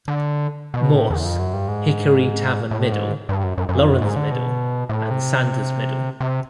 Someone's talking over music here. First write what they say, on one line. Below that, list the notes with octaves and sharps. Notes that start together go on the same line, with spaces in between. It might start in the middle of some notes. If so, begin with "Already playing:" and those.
Morse, Hickory Tavern Middle, Laurens Middle, and Sanders Middle.
D3
B2
A2
E2
F2
F#2
G2
G#2
A2
G#2
G2
F#2
F#2
F#2
F2
F#2
G#2
D3
B2
A2
C3
C3